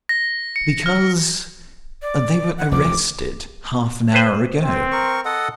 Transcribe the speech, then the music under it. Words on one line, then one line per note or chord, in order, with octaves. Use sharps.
"Because they were arrested half an hour ago."
A#6
C#7
F6
D5
F#5
F1 D#2 F3 D6
B4 C5
C4
A#4 C#6
A4 D#5 F#5